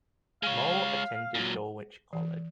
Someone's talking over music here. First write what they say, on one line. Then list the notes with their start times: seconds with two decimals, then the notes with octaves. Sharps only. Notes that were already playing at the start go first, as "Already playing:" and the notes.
Mole attended Dulwich College.
0.43 G#3 C#5 F5
1.35 A#2 F#3
2.13 E3